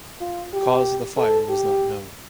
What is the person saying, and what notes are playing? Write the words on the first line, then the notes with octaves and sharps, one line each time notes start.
The cause of the fire was not known.
F4
G4
A4
G4